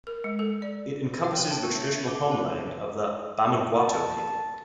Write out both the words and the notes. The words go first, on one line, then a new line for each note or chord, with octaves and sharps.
It encompasses the traditional homeland of the Bamangwato people.
A#4
G#3
A4
D5
G5
C#5
A5
B3
E5
E5
D6
C#5
A5